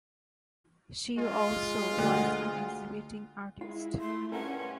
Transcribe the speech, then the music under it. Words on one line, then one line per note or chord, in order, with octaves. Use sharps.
She also was an exhibiting artist.
G#3 F4
D2
G#3 E4 F4
A3 C6
G2 C#4 A4 A#4 E5 F#5